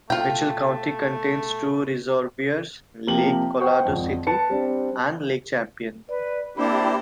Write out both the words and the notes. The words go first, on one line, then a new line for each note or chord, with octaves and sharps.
Mitchell County contains two reservoirs, Lake Colorado City and Lake Champion.
B2 A3 F4 G5
C3 F3 A#3 G4 F#7
C5 F#5 G5 C#6
G#1 F2
B4 A5 C#7
G3 C4 D4
B4 D5
A#3 C4 D4 E4 G4 C5 B5